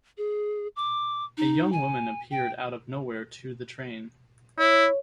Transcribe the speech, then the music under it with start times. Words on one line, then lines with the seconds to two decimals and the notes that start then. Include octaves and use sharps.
A young woman appeared out of nowhere to the train.
0.18 G#4
0.76 D6
1.37 D#4
1.72 G#5
2.31 G5
4.59 E4 C#5